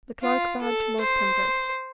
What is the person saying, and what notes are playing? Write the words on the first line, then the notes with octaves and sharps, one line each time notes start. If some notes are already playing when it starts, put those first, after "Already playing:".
The Clerk bowed to Lord Pembroke.
F4
A4
C5